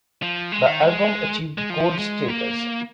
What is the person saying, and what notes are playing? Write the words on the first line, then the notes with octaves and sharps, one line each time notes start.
The album achieved gold status.
F3
G#3
D#3
G#3
G#3
F3
G#3
A#3